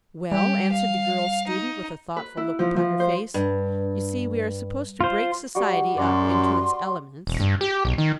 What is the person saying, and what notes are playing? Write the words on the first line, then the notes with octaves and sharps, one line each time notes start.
"Well," answered the girl student with a thoughtful look upon her face, "you see, we are supposed to break society up into its elements."
G3 G4
F5
D#4
B4
E4
F3
F3
C5
G2
F4 C5
G3 F#4 G4
F#2 D5 C6
E1
G2
G4
B1
D#3